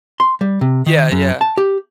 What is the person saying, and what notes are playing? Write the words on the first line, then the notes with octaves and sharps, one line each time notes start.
Yeah, yeah.
C6
G3
C3
D#3
F#2
A5
G4